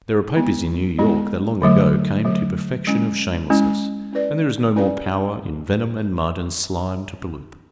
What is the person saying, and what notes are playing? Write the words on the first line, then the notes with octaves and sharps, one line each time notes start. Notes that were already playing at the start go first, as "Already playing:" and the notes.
There are papers in New York that long ago came to perfection of shamelessness, and there is no more power in venom and mud and slime to pollute them.
G#3 B3 E4
G#3 B3 E4
D3 F#3 A3
D3 F#3 A3
G#3 C#4 E4
G#3 C#4 E4
C#4 E4 B4 D5
C#4 E4 B4 D5